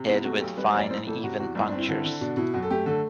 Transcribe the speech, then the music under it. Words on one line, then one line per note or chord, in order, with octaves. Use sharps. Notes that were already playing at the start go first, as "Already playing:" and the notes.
Head with fine and even punctures.
Already playing: C3
B3 E4
A3 F#4
A4
B1 G4
G3 B4
C5
F#1
D5
A2 C5
A1 A4
E4
C3 F#4
E2 F#4
G1 E4
D4
C4
E4
D3 E4
D3
B2 D4
B2 E4
F#2 F#4
A4
A3 G4
D3 A4